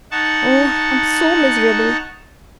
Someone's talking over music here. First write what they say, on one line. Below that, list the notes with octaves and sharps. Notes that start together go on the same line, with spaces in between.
Oh, I'm so miserable.'
D#4 F#5 A5 C#6